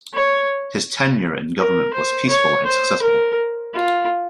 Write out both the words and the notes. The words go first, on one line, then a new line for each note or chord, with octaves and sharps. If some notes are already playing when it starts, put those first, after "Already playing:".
His tenure in government was peaceful and successful.
C#5
A#4
C5
C#5
C5
A#4
F4